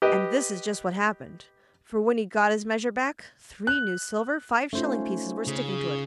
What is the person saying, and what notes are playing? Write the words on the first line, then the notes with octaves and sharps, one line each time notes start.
And this is just what happened; for when he got his measure back, three new silver five-shilling pieces were sticking to it.
G4 B4 D#5
F#6
A3 C#4 D#4 F4 C5
C#3 G#4